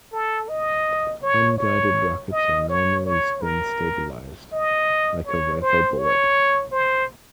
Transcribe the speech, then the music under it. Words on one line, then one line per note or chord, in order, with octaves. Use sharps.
Unguided rockets are normally spin stabilized, like a rifle bullet.
A4
D#5
C#5
C#5
D#5
C#5
C#5
A#4
D#5
C#5
C5
C#5
C5